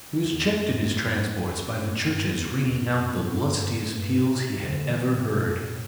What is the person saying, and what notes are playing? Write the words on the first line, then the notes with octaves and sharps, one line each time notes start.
He was checked in his transports by the churches ringing out the lustiest peals he had ever heard.
E2
E2
F#2
E2
F#2
E2
F#2
F#2
G2
E2
E2
E2
F#2
F#2
G2
G2
F#2
G2
A2
B2
C3
D3
E3
C3
B2
A2